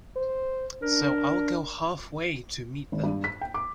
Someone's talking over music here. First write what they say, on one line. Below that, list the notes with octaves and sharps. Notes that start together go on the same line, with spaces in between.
So I'll go halfway to meet them.
C5
D4 A#4
G#1
G2
B6
G5
D6